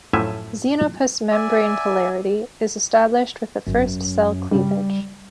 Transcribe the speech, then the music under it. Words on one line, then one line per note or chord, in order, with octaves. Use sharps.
"Xenopus" membrane polarity is established with the first cell cleavage.
F#2 A2 F3 C#4 E5 G#5
D5 E5 G#5
G#1 F#2
G2 C#3 G3